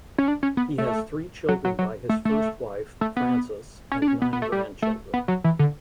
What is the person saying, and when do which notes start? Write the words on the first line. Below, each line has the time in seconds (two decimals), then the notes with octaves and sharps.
He has three children by his first wife Frances and nine grandchildren.
0.18 C#4
0.28 D4
0.43 C#4
0.57 B3
0.78 A3
1.49 F#3
1.65 F#3
1.79 F#3
2.09 A3
2.25 A3
3.01 A3
3.17 B3
3.92 C#4
4.02 D4
4.08 C#4
4.22 B3
4.33 B3
4.42 A3
4.52 G3
4.82 A3
5.14 B3
5.28 F#3
5.44 E3
5.59 D3